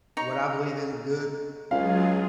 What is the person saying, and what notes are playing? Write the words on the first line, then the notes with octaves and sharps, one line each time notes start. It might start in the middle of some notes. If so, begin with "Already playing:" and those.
What I believe in is good
D#4 C#5 A#5
C#2 F#3 F4 G#4 F5